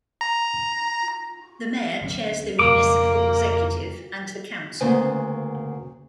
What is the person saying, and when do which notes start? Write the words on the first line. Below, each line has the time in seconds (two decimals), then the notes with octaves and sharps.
The mayor chairs the municipal executive and the council.
0.21 A#5
2.01 D2 F#3 C#4
2.59 F2 C#3 A#3 D6
4.81 D2 C#3 A#3 B3 C5 G#5